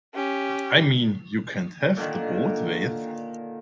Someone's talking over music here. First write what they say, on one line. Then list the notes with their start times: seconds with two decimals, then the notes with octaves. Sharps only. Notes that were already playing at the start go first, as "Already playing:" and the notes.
I mean, you can't have it both ways.
0.15 C#4 G4
1.97 A#2 D3 D#3